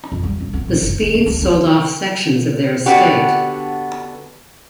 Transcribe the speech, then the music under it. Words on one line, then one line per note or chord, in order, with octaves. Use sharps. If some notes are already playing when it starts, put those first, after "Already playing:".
The Speeds sold off sections of their estate.
F2
G3
G1
B3
A#2
F#1
C#3
F#1
D2
F#3
D3 B3 D4 F#4 G4